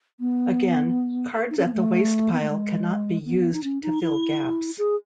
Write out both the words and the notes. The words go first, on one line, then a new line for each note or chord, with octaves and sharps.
Again, cards at the wastepile cannot be used to fill gaps.
B3
D#4
C#4
B3
A3
B3
A3
G#3
B3
D#4
C#4
D#4
E4
G#4